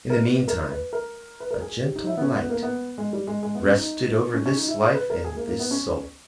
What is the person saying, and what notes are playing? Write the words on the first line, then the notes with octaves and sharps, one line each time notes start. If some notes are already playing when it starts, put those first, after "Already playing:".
In the meantime a gentle light rested over this life and this soul.
A#4
B4
A#4
B4
A#4
B4
A#4
G#4
G4
D#4
E4
B3
C#4
B3
A#3
B3
G#3
G3
G#3
G#3
B3
C#4
D#4
C#4
C#4
D#4
E4
B4
A#4
G#4
A#3
A#3
B3
C#4